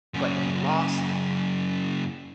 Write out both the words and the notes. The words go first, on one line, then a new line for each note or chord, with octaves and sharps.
but he lost it
F#2 C#3